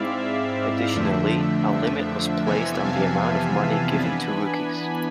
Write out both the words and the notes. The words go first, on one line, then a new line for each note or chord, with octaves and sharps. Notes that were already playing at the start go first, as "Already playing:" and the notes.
Additionally, a limit was placed on the amount of money given to rookies.
Already playing: G#2 G#3 C4 E4 D5 E5 F5
E5
F2 D3 F3 A3 D4 E5
F2 C3 E3 B3 E5 G#5
F5 A5
E3 B3 D4 G#5 B5